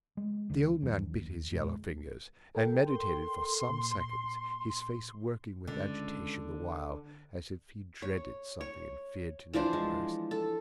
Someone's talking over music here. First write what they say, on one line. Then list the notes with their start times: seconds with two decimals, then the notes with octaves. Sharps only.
The old man bit his yellow fingers, and meditated for some seconds; his face working with agitation the while, as if he dreaded something, and feared to know the worst.
0.17 G#3
0.49 D2 D3 D#3
0.82 D#2 E3 F#3 D4
1.17 D#2
1.51 A#1 F2 A#2 G#3
2.55 A4 A#4 G5
2.87 C6
3.69 A#2
5.67 C#2 D3
8.02 C#5
8.61 C#5
9.53 E3 F3 D4 C5
9.73 G#3
10.31 A4